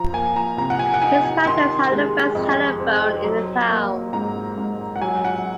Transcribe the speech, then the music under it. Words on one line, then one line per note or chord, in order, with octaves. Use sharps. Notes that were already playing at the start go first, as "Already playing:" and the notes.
His practice had the first telephone in the town.
Already playing: F3 A#5
A#3 G#5
A#5
C3 A#5
F#5
G#5
F#5
D#4 G#5
G#5
D#3 C6
G#3
F2
C4
F#3
A#3
G#2 A#5
G#2
F#5
F#3 G#5
F#5